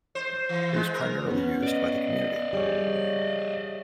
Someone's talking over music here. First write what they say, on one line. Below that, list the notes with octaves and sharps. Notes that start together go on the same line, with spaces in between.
It was primarily used by the community.
C5
E3
G#3
A#4
B3 C#4
D5 D#5
G3 G#4 C#5